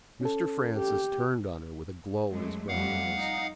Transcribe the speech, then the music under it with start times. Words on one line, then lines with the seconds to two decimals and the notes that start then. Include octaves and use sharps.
Mr. Francis turned on her with a glow in his brown eyes.
0.21 C#4 A4
0.77 G4
2.30 F#2 G#3 A3
2.68 F2 G3 A3 F5 F#5
3.18 D#4